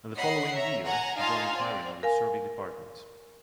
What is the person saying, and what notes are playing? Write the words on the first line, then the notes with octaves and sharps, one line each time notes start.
The following year, John McLaren of the Survey Dept.
C#5 D#5 F#5 B5 C7
C#5 E5 A#5
F#5 G#5 A#5
D#4 F4 F5 G#5 A5 C6
C4 D5
A#4 F5 G#5